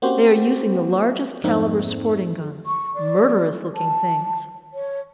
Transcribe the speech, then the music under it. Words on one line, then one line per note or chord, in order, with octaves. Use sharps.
They are using the largest caliber sporting guns,--murderous-looking things.
A#3 C4 C#4 F#4 G4 C5
F2 G#2 A#3 C4 D4 D#4
C#6
D5
A5
C#5